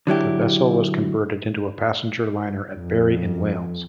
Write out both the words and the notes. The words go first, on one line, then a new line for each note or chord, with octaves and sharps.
The vessel was converted into a passenger liner at Barry in Wales.
D3 F#3 E4 G4
F2